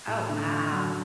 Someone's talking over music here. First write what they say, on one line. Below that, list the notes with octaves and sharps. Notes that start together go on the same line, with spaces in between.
Oh, wow.
A2
D3
F#3